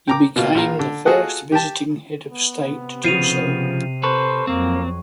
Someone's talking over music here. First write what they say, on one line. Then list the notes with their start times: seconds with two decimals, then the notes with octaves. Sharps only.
He became the first visiting head of state to do so.
0.08 G5 A#5 D6
0.36 B2 A#3 F4
0.55 A#1 F4 A#5
0.79 D3
1.06 F4 F#4 G#4 A4 D#5 F#5
1.52 G4 G5 A5
2.30 B3
2.69 C3
3.04 C#3 F3 C7 D#7 F7
4.03 A4 B4 C5 C#6
4.47 F2 F#3 A#3 C4